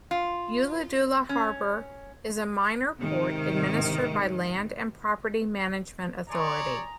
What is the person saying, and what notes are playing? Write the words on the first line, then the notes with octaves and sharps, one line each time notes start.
Ulladulla Harbour is a minor port administered by Land and Property Management Authority.
F4
C#4
G#2 C3 D#3
C#5 D5 G#5 A#5 C6 D#6